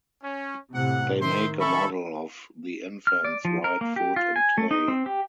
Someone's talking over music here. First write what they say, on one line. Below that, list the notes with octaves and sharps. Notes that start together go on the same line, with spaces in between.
They make a model of the infant's right foot in clay.
C#4
A2 C3 F#5
D#3 C5 E5 C6
C#4 A4 E5 B5 C#6
F6
D5
F3
A#4
A#3
G4
F4
G#5
A3
D#4
C4
G4